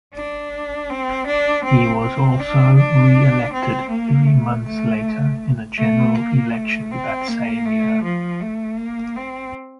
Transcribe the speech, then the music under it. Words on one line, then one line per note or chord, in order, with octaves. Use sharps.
He was also reelected three months later in a general election that same year.
D4
C4
D4
C4
C4
D4
D4
C4
A#3
A3
A3
A3
A#3
A3
C4
A#3
A3
F3
A3
A#3
C4